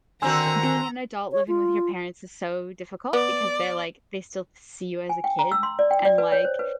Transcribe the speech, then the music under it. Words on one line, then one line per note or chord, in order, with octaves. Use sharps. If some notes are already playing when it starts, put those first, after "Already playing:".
being an adult living with your parents is so difficult because they're like they still see you as a kid, and, like,
D3 D#3 C4 F#4 G#5 A#5 C6 E6
C#5
F4
B3 D5
G#5
G5
A#5
E6
C6
D5
G5
D5
B4
C#5
C5
B4